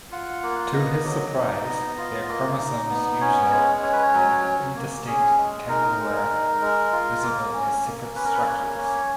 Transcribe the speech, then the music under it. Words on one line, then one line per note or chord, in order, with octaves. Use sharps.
To his surprise, their chromosomes-usually an indistinct tangle-were visible as separate structures.
F4 F#5
A#3
B3 D#5
F#3
D#4
B3
F4
A#3
D#4
B3
C#4 C#5
G#3 C#5
C#4 C#5
B4
C#5
F#3
C#4
A#3
C#4 G#4
G#3
D#4 A#4
G#3
D#4
G#3
F4
A#3
C#4
A#3
C#4 B4
A#4
B4
A#3 C#5
C#4